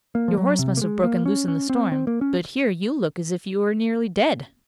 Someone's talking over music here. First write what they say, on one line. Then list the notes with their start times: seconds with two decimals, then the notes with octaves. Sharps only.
Your horse must have broken loose in the storm. But here, you look as if you were nearly dead!
0.15 A#3
0.28 F3
0.38 F#3
0.59 C3
0.77 A#3
0.82 G#3
1.04 A#3
1.26 C#4
1.48 C#4
1.69 C4
1.92 C4
2.07 A#3
2.21 C#4